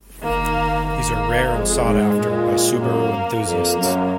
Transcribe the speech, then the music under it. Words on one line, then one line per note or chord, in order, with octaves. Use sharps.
These are rare and sought after by Subaru enthusiasts.
D#3 A#3
A#3
F2 G#3
G#2
A#2
F#2 A#3
F2 A#3
F#2